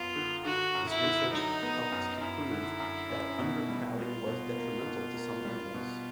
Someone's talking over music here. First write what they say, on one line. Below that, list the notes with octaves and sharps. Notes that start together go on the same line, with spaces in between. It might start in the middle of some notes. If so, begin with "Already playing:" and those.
This research helped to prove that under crowding was detrimental to some animals.
Already playing: F#2 B3 F4
D3
D3 F#4
F#2
E4
D3
F#3 D#4
B3
F#2
F#2 E4
D3
F#2
C#4
B2
G3
G3 F4
B2
A#3
B2
A#3
G3
B2